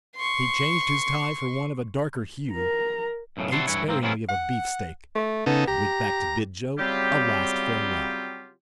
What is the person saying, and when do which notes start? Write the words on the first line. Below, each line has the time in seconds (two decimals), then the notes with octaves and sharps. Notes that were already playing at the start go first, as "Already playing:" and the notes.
He changed his tie for one of a darker hue, ate sparingly of a beefsteak, and went back to bid Joe a last farewell.
0.16 C6 C#6
2.52 A#4 A#5
3.37 B1 F#2 A2 C#3
3.52 C3 G3 E4 F#4 A4 C6
3.67 G2 E3 E4 F#4 C#5
3.87 G#2 A#3 C4
4.03 C3 E3 F#3 C#4 E4 F4
4.29 F#5
5.15 A3
5.46 C#3 B3 D#4 A4
5.68 G4 A#5
6.79 C#3 F#3 G3 C4 F4 G4